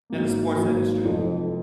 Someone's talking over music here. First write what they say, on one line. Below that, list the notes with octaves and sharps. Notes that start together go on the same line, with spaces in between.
in the sports industry.
G#1 G#2 F#3 A#3
G#1 G#2 F#3 A#3
F1 F2 F3